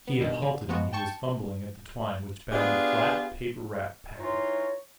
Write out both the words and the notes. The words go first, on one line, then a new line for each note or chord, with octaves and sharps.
He had halted and he was fumbling at the twine which bound a flat, paper-wrapped packet.
B3
G2 B2 D#3
D3
F3 G#3 B3 F#4
G5 A5 C#6
B3 D4 F4 G4 G#4
E3 D#4 F4 C#5